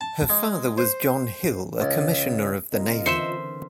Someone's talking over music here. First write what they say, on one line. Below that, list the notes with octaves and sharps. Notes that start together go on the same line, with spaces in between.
Her father was John Hill, a Commissioner of the Navy.
A5
G#3
C5
C#2
C#3 C4 F4 A#4 D#5
D3 E3 C5 E5 C#7 E7